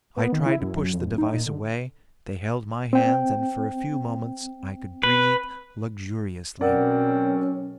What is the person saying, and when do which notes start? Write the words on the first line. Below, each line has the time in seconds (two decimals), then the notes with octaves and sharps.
I tried to push the device away. They held my hands, and for a few moments I could breathe luxuriously.
0.16 B3
0.32 D#3
0.46 E4
0.61 F#2
0.75 F#2
0.93 F2
1.06 D1
1.18 D#4
1.34 A#2
1.46 D3
2.93 C4 G5
5.03 B4
6.61 B1 C4 C#4 A#4 D5 F#5